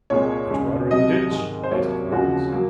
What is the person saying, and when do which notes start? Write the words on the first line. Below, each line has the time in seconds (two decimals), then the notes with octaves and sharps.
"Much water in the ditch?" asked Quarles.
0.10 C2 A#2 G#3 C#5
0.50 D#2 C#3 G#3
0.91 C2 C3 F#3 D#5
1.31 G#2 D#3 G#3
1.64 C5
1.71 C2 C3 F#3 A#3 C#5
2.11 D#2 C#3 F3 G#3 F#4
2.52 F#3 A#3